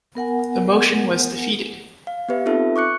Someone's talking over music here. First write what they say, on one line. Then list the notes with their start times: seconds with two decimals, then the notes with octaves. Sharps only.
The motion was defeated.
0.15 B3 A#4 F#5 G#5
2.07 F5
2.29 B3 G4 B4 E5
2.46 C4 D#4 F4 A4 E5
2.76 C#6 D6 F#6 C#7